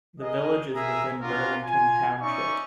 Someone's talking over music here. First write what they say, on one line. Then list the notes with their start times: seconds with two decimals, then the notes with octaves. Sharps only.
The village is within Burlington Township.
0.21 G#4 A#4 D#5
0.75 G#4 A#4 E5 G#5 A#5
1.22 C#4 D4 F4 F#4 A#4
1.64 F4 G#5
2.22 C#4 D#4 D5 E5 C#6